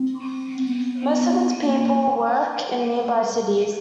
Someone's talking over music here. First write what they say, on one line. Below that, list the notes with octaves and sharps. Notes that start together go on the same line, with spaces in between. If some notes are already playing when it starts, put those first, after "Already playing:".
Most of its people work in nearby cities.
Already playing: C4
B3
A#3